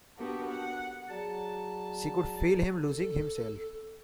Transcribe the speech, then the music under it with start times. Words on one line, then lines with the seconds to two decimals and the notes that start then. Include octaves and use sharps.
She could feel him losing himself.
0.17 B3 D4 F#4 G4 A4 A#4
0.50 F#5
1.09 F#3 G#4 D5 A5 A#5
2.87 A4